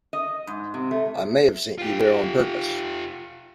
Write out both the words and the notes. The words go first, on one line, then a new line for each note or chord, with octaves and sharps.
I may have sent you there on purpose.
D#5
G#2
C3
A3
F4 G4